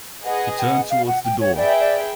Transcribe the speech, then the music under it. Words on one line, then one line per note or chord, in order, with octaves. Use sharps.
He turned towards the door.
G#4 B4 D#5 F#5
G5
F#5
F5
F#5
G5
C#5
G#4 B4 D5 E5 G5
D5